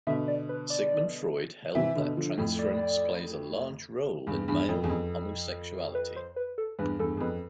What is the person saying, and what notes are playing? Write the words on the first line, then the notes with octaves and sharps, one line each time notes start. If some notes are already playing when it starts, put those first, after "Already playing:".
Sigmund Freud held that transference plays a large role in male homosexuality.
B2 D3 E5
D5
B4
D5
C3 E3 E5
B2 D3
D3 F3
F2 A2
D5
E2 G2
E2 G2
F2
E2
F2
B4
C5
B4
A4
E2 G2 B4
E2 G2 A4
E2
F2 B4